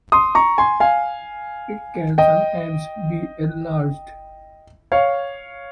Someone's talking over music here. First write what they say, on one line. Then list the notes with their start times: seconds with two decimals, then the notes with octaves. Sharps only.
It can sometimes be enlarged.
0.12 C6 D#6
0.35 A#5 C#6
0.58 G#5 C6
0.80 F5 G#5
2.18 D#5 G5
4.92 C#5 F5